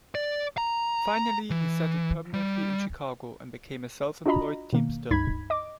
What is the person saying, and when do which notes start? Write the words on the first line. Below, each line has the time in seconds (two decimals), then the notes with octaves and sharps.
Finally he settled permanently in Chicago and became a self-employed teamster.
0.15 D5
0.58 A#5
1.50 E3
2.33 G3
4.26 D4 F4 F#4 D#5 A#5 B5
4.73 B2 D#3 A#3
5.11 C#2 G2 D#4 B5 G#6 B6
5.50 D#5 D6